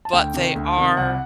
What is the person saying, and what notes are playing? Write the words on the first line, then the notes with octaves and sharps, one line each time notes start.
but they are
A5
D2 G5
C3 D#3
D2
C3 D#3
C2 F#5